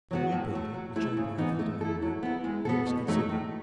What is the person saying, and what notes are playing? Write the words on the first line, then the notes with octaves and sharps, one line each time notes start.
The new-building the chamber over the dining-room, you must consider.
F#3 B3 F#4
A2
F#3 A3
F#3
A3 E4 A4
C#3
E3 B3 D#4
A3
E4 A4
F#3
B3 E4
G#3
B3 F#4 A4
B2
F#3 A3 D#4
A2